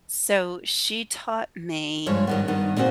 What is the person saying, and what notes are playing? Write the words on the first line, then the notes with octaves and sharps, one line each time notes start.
so she taught me
G2 F3 G#3 C#5
G2 D#3 B3
G2 D#3 B3
A#2 C#3 C4 F#4